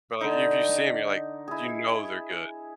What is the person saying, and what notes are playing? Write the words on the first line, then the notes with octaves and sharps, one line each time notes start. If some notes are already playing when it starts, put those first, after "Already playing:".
but like if you see him, you're like, you know, they're good.
D3 D#4
E4 G#4